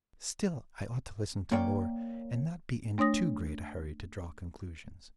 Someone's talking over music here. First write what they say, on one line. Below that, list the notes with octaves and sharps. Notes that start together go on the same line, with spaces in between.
Still, I ought to listen to more and not be in too great a hurry to draw conclusions.
A#3 C#5 D5 G5
A3 D4 C#5 D#6 A#6